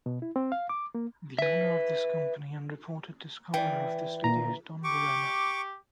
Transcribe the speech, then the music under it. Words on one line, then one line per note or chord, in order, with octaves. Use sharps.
The owner of this company and reported discoverer of this video is Don Warrener.
B2
E4
C4
F5
D6
A#3
B4 E5
E3 D5 G5
A#2 A#5
G4 C#6 D6